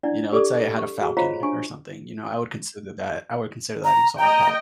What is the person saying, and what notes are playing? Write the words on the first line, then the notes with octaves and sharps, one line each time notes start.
you know, let's say I had a falcon, or something, you know, I would consider that I would consider that an exotic pet,
D4 E4 D5 F#5
G4 A4 D5 D6 D#6
C#6
F#4 G#4
F4 C5 C#5 D#5 F5 A#5
D4 G#5 C#6
A#5
D#5 G5 A#5